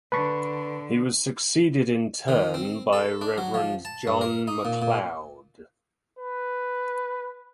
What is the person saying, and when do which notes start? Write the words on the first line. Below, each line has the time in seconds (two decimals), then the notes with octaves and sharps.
He was succeeded in turn by Rev John Macleod.
0.12 D3 B4 A5 C#6
2.28 D#3
2.54 C4
2.93 A4
3.21 D4
3.38 F#3
3.54 F3
3.85 A5
4.07 G2
4.21 A#4
4.48 D#4
4.65 A#2
4.82 A#2
6.19 B4